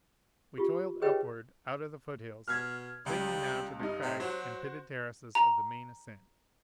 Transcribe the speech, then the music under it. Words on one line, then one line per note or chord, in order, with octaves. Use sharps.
We toiled upward, out of the foothills, clinging now to the crags and pitted terraces of the main ascent.
F4 G4
G4 G#4 B4 C#5 D#5 G5
B2 F6 G#6
C#2 G3
G2 D#4
C3
F#3 F#4 C5
A#5